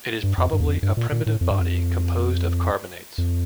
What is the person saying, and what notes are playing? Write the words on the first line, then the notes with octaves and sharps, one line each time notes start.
It is probably a primitive body composed of carbonates.
G2
F2
G2
E2
F2
G2
A#2
A#2
A2
F2
G2
F2
F2